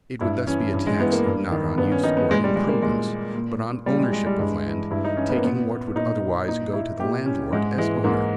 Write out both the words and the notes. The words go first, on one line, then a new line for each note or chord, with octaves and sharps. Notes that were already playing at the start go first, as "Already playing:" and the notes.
It would thus be a tax, not on use or improvements, but on ownership of land, taking what would otherwise go to the landlord as owner.
G2 E4
E3 C#4
G2
G#3
E3 B3
A#3
G2
D#3
G2 B3
C#4
D#3 D#4
B3
A#2 G#3
G3
G#3
A#3
A#2 G#3
A#2
A#2 G3
G#3
G#3
G3
G2 G#3
E3
G2 E4
D#4
E3 C#4
B3
A#3
A#2 B3
A#2 D#4
A#2 D#4
E4
A#2 G4
C#4
G#2 G#3
E3 G#3
G#2 A#3